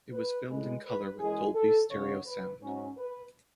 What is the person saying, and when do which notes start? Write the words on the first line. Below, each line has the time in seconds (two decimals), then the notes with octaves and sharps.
It was filmed in color with Dolby Stereo sound.
0.13 B4
0.49 A2 G#3 B4
0.84 B4
1.19 F#2 E3 G#3 G#4
1.55 A4
1.90 D#2 C#3 F#3 C#5
2.26 B4
2.61 G#2 F#3 C#4
2.97 B4